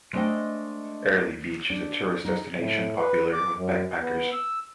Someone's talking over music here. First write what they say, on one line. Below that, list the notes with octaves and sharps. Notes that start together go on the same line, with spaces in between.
Airlie Beach is a tourist destination, popular with backpackers.
G#3 A3 D4 C5 D#5 G5
D4
D#4 G#4
A2
B4
D6
F#2
B3
E6